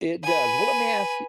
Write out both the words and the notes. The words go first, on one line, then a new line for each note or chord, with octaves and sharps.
It does, well, let me ask y
B4 G#5